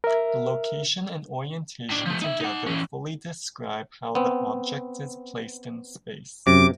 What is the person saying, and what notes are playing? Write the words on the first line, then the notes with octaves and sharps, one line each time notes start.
The location and orientation together fully describe how the object is placed in space.
A#4 E5
A2 D4
F3 A3
D#4 E5
D#4 F#5
E3 C#4
B3 C4
F#2 C3 D6